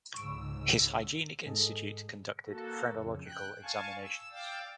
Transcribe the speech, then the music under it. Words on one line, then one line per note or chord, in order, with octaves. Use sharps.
His hygienic institute conducted phrenological examinations.
C#2 G#2 C#6 E6 D7
G#2 G#4 A4 D#5
A#3 F#4 A4
F2 C#3
G5 F#6
F5 G#5 A5 C#6
E6
D5 F5 G5 D6 E6